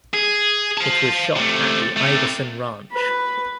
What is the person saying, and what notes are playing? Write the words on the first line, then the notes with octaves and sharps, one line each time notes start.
It was shot at the Iverson Ranch.
G#4
F5 A5
C3 A3
C3 A3
B4